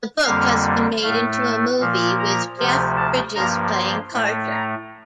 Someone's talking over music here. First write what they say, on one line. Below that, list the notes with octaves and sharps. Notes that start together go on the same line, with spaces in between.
The book has been made into a movie, with Jeff Bridges playing Carter.
F2 D3 G3 A#3 F5
A2 A3 F5
A5
A#2 F3 A#3
A#5
D2 C3 F3
A5
G2 F3 A#3 A#5
C6
A2 A3
A#5